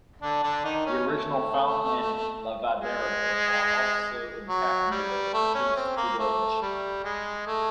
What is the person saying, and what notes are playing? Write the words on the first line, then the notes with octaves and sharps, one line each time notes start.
The original fountain and "lavadero" are also intact near the entrance to the Mission.
D3 D4
D3 D4
D#3 D#4
C#4
A3
G#3
F#3
G3
A3
C#4
C4
A#3
A3
G3
G#3
A3